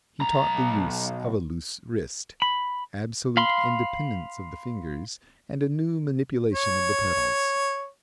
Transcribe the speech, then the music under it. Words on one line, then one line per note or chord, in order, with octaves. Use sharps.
He taught the use of a loose wrist, absolute independence of the fingers and a new manipulation of the pedals.
B1 A#5
B5
F5 B5 C6
C#5